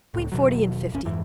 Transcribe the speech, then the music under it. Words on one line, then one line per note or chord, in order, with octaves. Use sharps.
"Between forty and fifty."
C#2 A2
E1 B2 D#3 F#3
D1 G1 C#4
F2 G#2 E3